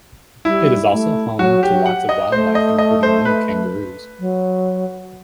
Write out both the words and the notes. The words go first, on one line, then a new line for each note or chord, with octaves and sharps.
It is also home to lots of wildlife including many kangaroos.
G3 E4
A3
F#3 F#4
G4
F#3
F#5
D#5
A3 C5
D#5
D#5
C5
B4
F#3